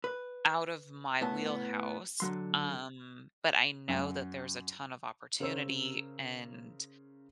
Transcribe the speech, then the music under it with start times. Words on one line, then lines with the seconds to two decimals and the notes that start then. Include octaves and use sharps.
out of my wheelhouse, um, but I know that there's a ton of opportunity and
0.04 B4
1.21 A2 B3 A5
2.20 D3 F#3 C6
3.88 F#2
5.40 C#3 A#4 C5 C#5 E6